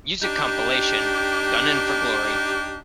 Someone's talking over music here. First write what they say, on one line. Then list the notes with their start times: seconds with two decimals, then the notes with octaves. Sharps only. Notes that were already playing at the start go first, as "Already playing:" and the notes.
Music compilation "Gunnin' for Glory".
0.23 D4 D#4 G4